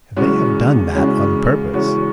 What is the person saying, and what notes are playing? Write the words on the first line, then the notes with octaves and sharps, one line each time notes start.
They have done that on purpose.
E2 C#3 G#3 C#4 F#4
E2 C#3 G#3 C#4 F#4
E2 C#3 G#3 C#4 F#4